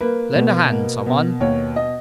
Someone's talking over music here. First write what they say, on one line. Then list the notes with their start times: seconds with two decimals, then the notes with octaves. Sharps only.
Lend a hand, some one.'
0.01 A#3 B4
0.36 B2
0.70 A#3
1.06 B2
1.40 D#2 C#5
1.76 D#5